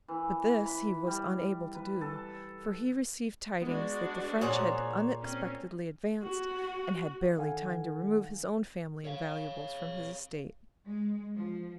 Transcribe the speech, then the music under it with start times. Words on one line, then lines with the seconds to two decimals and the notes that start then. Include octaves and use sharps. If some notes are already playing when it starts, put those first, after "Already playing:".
But this he was unable to do, for he received tidings that the French had unexpectedly advanced, and had barely time to remove his own family and valuables from his estate.
0.08 E3
0.66 B5
1.07 G3
1.75 B4
2.01 A4
3.62 G#3 B3 D4 F#4
4.41 A#2 G#4 C5 C#5 F#5
5.21 C4 C#4
6.23 F#4
7.37 D#3 D#4 A4 F5 F#5 G#5
9.05 C#5 F5
10.86 G#3
11.36 F3